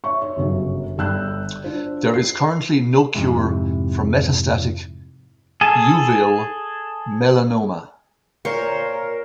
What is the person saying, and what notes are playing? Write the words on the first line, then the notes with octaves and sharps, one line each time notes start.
There is currently no cure for metastatic uveal melanoma.
C#5 E5 C#6
C#5
G1 F#2 C#3 F#3
G1 G3 E6 F#6 G6
D4 F4 C5
C7
F2 G#2 C3 E4
G#4 A4
A#2 A#4 C5 C#5